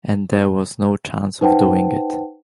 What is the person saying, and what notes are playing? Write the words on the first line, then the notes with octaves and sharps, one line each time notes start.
And there was no chance of doing it.
D#4 B4 C5 F#5 G5 A5